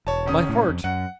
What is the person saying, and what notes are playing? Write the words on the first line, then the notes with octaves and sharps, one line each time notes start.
My heart!
E1 C#5 A5
F1 C#4 D#6
A2
F2
F#2 F#5